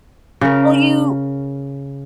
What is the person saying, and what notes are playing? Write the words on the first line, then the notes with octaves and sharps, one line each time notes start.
Well, you
C#3 A#4